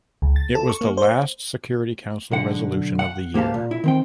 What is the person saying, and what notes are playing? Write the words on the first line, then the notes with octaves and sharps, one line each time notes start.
It was the last Security Council resolution of the year.
C#2
A6
A4
C#6
A#3
C5
B1 D3 F#5
F#5
G#2 A#3 G4 F5 A5
A#2
E4
D#3 C4 G5